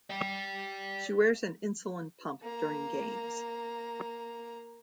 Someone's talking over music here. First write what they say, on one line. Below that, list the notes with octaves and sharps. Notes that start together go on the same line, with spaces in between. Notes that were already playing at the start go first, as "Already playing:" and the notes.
She wears an insulin pump during games.
D5 G5
A#3 A#5